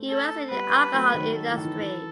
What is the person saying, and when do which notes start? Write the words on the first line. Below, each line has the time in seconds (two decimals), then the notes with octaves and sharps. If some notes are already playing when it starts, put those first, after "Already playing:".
He works in the alcohol industry.
Already playing: A3 C4
0.08 A4
0.51 G3 B3 B4
0.94 F#3 A3
1.15 D#3 F#3
1.36 A4
1.51 E3
1.58 D#3
1.65 E3
1.79 E3